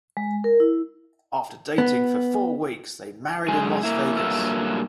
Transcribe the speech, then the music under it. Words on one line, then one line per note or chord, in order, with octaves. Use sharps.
After dating for four weeks, they married in Las Vegas.
G#3
A#4
E4
B3
F#2 G#3 G#5
A#3 E4
G2 F#3 A#3 F4 A4 E5